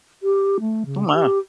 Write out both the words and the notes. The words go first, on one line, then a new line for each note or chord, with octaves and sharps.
Oh my.
G4
A3
C#3
G4